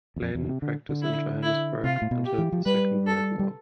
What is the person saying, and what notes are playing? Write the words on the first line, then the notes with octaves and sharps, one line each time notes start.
Clayden practiced in Johannesburg until the Second World War.
E2
F2
E2
D3
C3
D3
D3
E4
E4
C3 F4
A2
B2
G4
E3
F3
G3 B4
A4
G3